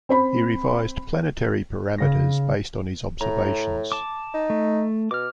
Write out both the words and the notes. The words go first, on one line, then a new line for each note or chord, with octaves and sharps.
He revised planetary parameters based on his observations.
C4 C5 B5
C#3 A#6
A2 A#5
A5 D6
D#4
A3
B2 D6 F6